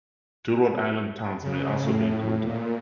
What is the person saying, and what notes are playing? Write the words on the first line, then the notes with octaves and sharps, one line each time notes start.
Two Rhode Island towns may also be included.
C#3
A2
A#2